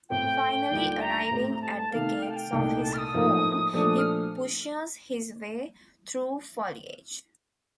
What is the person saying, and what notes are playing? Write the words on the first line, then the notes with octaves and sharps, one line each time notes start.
Finally arriving at the gates of his home, he pushes his way through foliage.
A2 A3 C4 G5
D#2 D3 G3 D4 F4
A#5
A2 A3 C4 G4
A#5
A5
A5
C3 D#3 A3 F5
G5
A5
G5
C2 A#2 A3 D#4 A4
A5
F6
D#6
A2 F3 A#3 D#4
A#2 F3 A3 D4 A4 D#6
F6